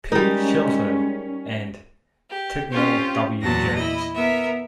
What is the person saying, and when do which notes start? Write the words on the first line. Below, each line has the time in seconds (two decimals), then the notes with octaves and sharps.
P. Chilton, and Tignall W. Jones.
0.12 G3 G#3 C#4 D#4 A#4
2.30 G4
2.71 C4 C#4 F4 G4
3.41 E2 A#2 F#3 A5 A#6
3.74 E4 D#5
4.14 B3 A#4 E5